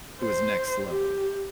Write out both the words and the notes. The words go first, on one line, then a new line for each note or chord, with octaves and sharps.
it was next level,
C5
G4